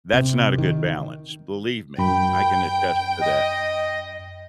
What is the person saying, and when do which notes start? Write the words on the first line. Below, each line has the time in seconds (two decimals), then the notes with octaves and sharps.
that's not a good balance. Believe me. I can attest to that.
0.13 C3
0.58 D#3
1.98 F#2 G5 B5
3.21 D#5